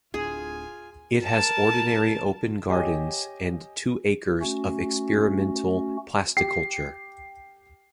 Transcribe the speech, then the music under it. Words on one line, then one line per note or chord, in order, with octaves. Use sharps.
It has ordinary open gardens and two acres of experimental "plasticulture".
D1 D4 F4 G#4 G#5
A#4 A5
G4 C#5 D#5 G#5
A3 C#4 F#4
G4 C7